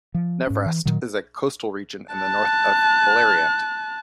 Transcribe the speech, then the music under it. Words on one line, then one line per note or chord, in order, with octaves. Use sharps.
Nevrast is a coastal region in the north of Beleriand.
F3
G#2 C#4
E3
A#2 D#3 F#3
A5 F#6